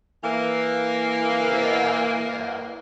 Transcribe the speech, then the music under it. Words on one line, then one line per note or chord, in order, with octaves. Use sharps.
Yeah. Yeah.
E3 A#3